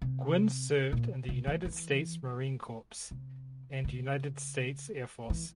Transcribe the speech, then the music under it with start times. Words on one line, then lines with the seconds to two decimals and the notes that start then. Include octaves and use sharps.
Gwynn served in the United States Marine Corps and United States Air Force.
0.02 C3
0.93 A#2
1.29 C3
1.47 E3
1.65 E3
3.11 C3
3.84 C#3
5.30 E3